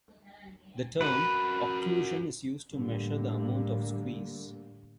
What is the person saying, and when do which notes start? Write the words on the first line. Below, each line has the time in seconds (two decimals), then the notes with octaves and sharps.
The term "occlusion" is used to measure the amount of squeeze.
1.01 F#4 A#4 B4
2.72 A2 D3 G3 A#3